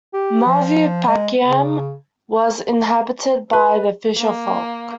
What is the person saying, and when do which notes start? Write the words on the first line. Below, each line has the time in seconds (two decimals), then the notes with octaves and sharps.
Maruvurpakkam was inhabited by the fisher folk.
0.14 G4
0.46 F3
1.08 G#3
1.44 C#3
3.53 B4
4.17 A#3